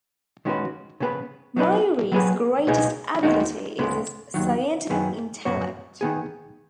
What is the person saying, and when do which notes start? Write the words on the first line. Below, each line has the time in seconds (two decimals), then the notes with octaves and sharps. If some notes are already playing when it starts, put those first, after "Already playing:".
Mayuri's greatest ability is his scientific intellect.
0.45 D#3 G#3 C#4 F#4 B4
1.00 C#3 B3 G#4 B4
1.56 F#3 B3 D#4 B4
2.12 F#3 B3 G#4 B4
2.67 C#2 B2 B3 D#4 G#4
3.23 D#2 D#3 G#3 D#4 F#4
3.78 C#2 C#3 G#3 B3
4.34 D#2 D#3 F#3
4.89 F#2 D#3 F#3 B3 G#4
5.45 F#2 C#3 B3 F#4 C#5
6.01 D#3 B3 G#4